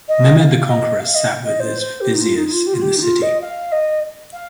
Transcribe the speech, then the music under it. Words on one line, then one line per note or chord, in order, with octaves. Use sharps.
Mehmed the Conqueror sat with his viziers in the city.
D#5
F5
D#5
F5
D#5
D#5
C5
C5
G4
D#4
F4
D#4
D#4
F4
G4
F4
G4
D#4
F4
D#5
F5
D#5
F5